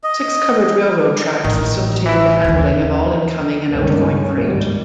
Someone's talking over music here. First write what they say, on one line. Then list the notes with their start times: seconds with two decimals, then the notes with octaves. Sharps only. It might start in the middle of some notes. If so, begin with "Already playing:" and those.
Six covered railroad tracks facilitated the handling of all incoming and outgoing freight.
0.04 D#5
1.44 A1 D#3
2.06 E3 E4
2.44 D#2 B3
3.70 G1 C#2 D#3 C#4
4.40 G#1 G3